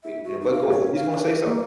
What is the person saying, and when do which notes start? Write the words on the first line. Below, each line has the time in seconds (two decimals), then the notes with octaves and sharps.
We you know but go ahead, you was gonna say something?
0.03 E5
0.24 F#4
0.41 D#4
0.52 F5
0.70 C#5
0.95 F5
1.11 D4
1.26 B4
1.44 A#3